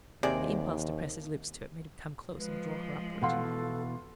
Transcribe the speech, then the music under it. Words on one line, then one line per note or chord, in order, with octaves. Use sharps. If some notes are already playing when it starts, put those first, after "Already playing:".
The impulse to press his lips to it made him come close and draw her upward.
D#2 C3 G#4 C5 D5
F3 G#3 B4
B2 E3 A4 F5 F#5 C6